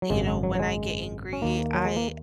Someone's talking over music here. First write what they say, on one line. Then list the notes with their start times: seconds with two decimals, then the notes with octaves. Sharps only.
you know, when I get angry, I
0.02 F#3
0.10 G#1 F#2 C#3 G#3
0.27 G#3
0.43 F#3
0.55 F#3
0.59 G#3
1.33 C#4
1.42 D#2 D#3 A#3
1.74 F#3
1.85 G#3
1.96 A#3